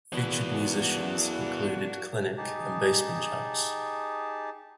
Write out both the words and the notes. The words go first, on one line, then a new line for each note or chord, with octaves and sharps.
Featured musicians included Clinic and Basement Jaxx.
E3 A#3 B3 D4 F#4
D#4 G4 G#4 A5